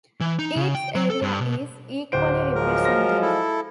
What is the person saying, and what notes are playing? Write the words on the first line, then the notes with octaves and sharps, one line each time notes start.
Each area is equally represented.
E3
D#4
C#3
G5
F#3
A4
G2
B2
D1 C5 D7
F3 F#3 G#3 A#4
A#6
E4 A4